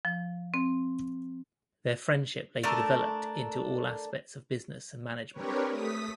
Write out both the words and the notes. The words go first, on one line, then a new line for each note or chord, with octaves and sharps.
Their friendship later developed into all aspects of business and management.
F3
C4
A3 D4 A4 A#4
C4 D4 G4 A#4 B4 C#5
A3 D#6 B6